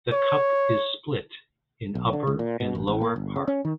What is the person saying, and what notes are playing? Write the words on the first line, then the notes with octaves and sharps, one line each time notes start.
The Cup is split in upper and lower part.
C#5
B1
D3
C#2
A#2
B2
A1
A1
A#3
G1
C#3
C#4
D#3